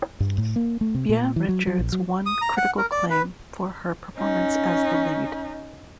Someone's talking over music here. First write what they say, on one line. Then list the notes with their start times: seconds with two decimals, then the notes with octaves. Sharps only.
Beah Richards won critical acclaim for her performance as the lead.
0.20 G2
0.38 A2
0.56 A#3
0.81 A3
0.95 C3
1.09 A#2
1.36 E3
1.49 F#3
1.67 F#3
1.79 A#1
1.92 F#3
2.26 D#6
2.42 A#5
2.57 F#5
2.78 A#4
2.91 D5
3.10 B4
4.17 C#4 D#4